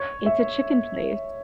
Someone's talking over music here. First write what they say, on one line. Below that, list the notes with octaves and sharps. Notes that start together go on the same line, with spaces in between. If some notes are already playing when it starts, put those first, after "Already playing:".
It's a chicken place.
Already playing: C#5
E5